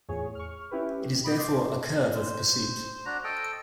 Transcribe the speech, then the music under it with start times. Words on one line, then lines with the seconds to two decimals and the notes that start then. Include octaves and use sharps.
It is therefore a curve of pursuit.
0.08 E2 A2 F4 G#4 C#5
0.35 C#6 F6
0.71 C#4 E4 G4 B4
1.24 B5 D6 D#6 G6 B6
1.39 C6 D6
2.16 C5
3.05 D4 F#4 A#5
3.24 A4 D#5 G5